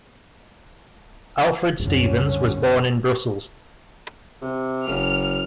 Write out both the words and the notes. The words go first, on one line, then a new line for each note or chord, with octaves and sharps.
Alfred Stevens was born in Brussels.
C2 F#2 D3 C#4
C3
F#1 F6